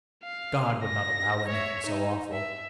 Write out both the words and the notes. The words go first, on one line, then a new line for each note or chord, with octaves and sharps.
"God would not allow anything so awful!"
F5
A#6
C#5 E5
D#4
E5